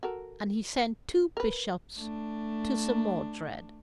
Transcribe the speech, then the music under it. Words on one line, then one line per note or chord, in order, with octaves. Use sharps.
And he sent two bishops to Sir Modred.
F#4 A4 A#4
A#4 B4
A3 D4